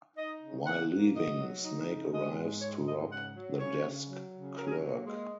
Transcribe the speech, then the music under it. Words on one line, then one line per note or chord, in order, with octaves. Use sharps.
While leaving, Snake arrives to rob the desk clerk.
D#4 D#5
C#3
A#3 F#5
A#3
F#3 D#5
F#3
D#4
C#3
G#3 D#5
G#2
G#3 C#5
G#2 D#5
C#3 F#5
F#3
C#3 C#5
C#3
F#3
C#3
F#3 A#4
G#4
A#4
A#3
G#3